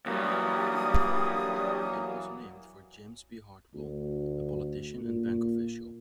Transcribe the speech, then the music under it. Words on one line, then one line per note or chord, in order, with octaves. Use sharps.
It was named for James B. Heartwell, a politician and bank official.
D2 G2 E3 F#3 A#3 D#6
D2
A#2